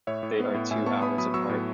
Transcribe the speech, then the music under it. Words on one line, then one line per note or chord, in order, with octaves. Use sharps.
They are two hours apart.
A2 C#5 E5
A2
B3
A2
A2 E5 G#5
B3 A5 C#6
B3 B5 D#6
F#3 B5 D#6
F#3 C#6 E6
A2